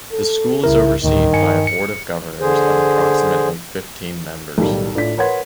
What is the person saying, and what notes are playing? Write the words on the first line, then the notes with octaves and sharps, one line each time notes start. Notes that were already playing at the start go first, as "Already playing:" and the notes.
The school is overseen by a Board of Governors of approximately fifteen members.
A4
C2 C#3 E4 A#4
D2 A2 D#3
G2 G#5 C#7
C#7
D3 G#4 C5
B1 A2 D#3 G3
A2 D4 F4 B6
A#4 B4 C#5 F#5 C6 G#6